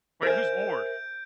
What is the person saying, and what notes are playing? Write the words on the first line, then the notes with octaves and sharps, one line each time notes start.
Wait, who's Ward?
A#4 C5 E5 G#5 G6 D7